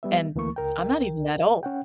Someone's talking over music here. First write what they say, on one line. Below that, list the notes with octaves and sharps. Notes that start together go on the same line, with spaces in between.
and I'm not even that old.
G3 B3 E5
D2 E3 A3 A#3 C#6
C#2 A#4 G5
C#4 F#5 G5